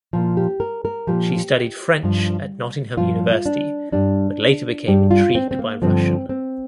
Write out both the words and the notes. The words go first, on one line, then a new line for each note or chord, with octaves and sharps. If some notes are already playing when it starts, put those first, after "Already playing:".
She studied French at Nottingham University but later became intrigued by Russian.
A#2 F3
G4
A#4
A#4
A#2 F3 G4
G2 F3
G2 F3 F4
D4
G2 G3 D4
G2 G3 G4
F4
C4
C4
A#3
G2 D3 F3 C4
C4